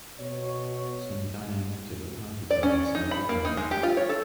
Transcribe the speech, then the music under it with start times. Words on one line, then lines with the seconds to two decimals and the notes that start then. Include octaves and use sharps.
Some guy I met at a party told me so at any rate.
0.19 B2 C#5
2.51 D5
2.63 C#4
2.95 D#4
3.11 B5
3.29 A#3
3.45 D#4
3.57 G#3
3.71 G4
3.83 F4
3.97 C#5
4.09 A4